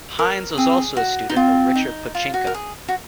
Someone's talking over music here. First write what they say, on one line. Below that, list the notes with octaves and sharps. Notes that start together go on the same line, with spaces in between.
Hines was also a student of Richard Pochinko.
A#4
C4 G#4
F#4
D#4
C4 F4
D#4
F4
F#4
A#4
G#4
F#4